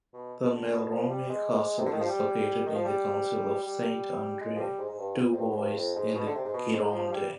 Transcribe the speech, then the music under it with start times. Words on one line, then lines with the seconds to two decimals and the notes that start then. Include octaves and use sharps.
The Malromé Castle is located in the council of Saint-André-du-Bois, in the Gironde.
0.13 B2
0.51 D3
0.72 B2
0.91 F3
1.10 G3
1.29 G#3
1.78 C3
1.85 D3
1.92 D#3
2.00 F3
2.08 G3
2.66 D#3
2.75 F3
2.85 G3
3.63 G3
4.41 G#3
4.56 F3
4.59 G3
4.78 G#2
4.89 G#2
4.98 G2
5.31 F2
5.37 G2
5.51 G#2
5.57 G2
5.76 F2
5.95 G#2
6.15 B2
6.26 D3
6.35 C3
6.44 G#2
6.53 B2
6.73 G#2
6.92 F3
7.07 F3
7.12 G3